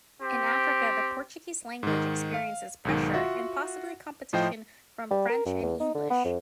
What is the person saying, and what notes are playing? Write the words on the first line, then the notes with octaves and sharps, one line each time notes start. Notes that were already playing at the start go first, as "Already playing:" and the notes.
In Africa, the Portuguese language experiences pressure and possibly competition from French and English.
C4 G4
G#2 D#3
F5
B1 G#2 D#3
F4 F#4 E5 F#5
A2 F3 C5 D#5 G5
G3
A#4
F#2
E2
D#4
D3
B3
F2